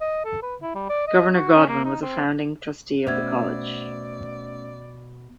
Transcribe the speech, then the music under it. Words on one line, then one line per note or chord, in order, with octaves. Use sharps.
Governor Godwin was a founding Trustee of the College.
D#5
A4
B4
E4
G3
D5
D#5
F#4
C#4
A#3
D#4
C4
B2 A3 C#4 C5 D5 E5 E6 G#6